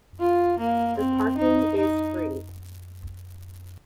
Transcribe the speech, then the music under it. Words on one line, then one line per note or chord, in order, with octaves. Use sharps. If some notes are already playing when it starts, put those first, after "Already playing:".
The parking is free.
F4
A#3
C4
D#4
D#4